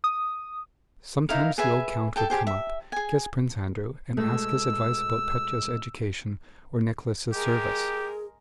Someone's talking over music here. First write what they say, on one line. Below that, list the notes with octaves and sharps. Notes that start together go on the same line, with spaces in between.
Sometimes the old count would come up, kiss Prince Andrew, and ask his advice about Petya's education or Nicholas' service.
D#6
D#4 E4 A#4 F5
G#4 B4 E5 G#5
A4 G5 A5
G4 G#4 C5
E5
G#4 G#5
B2 G#3 A3 E6
G#3 G4 G#4 A#4